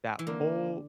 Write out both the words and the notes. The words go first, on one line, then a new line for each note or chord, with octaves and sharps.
That whole
E3
D3 A#3